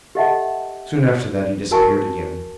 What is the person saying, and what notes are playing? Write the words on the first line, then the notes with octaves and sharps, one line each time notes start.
Soon after that he disappeared again.
G4 A4 D#5 E5 F#5 A5
F#4 A#4 G#5 A5 C#6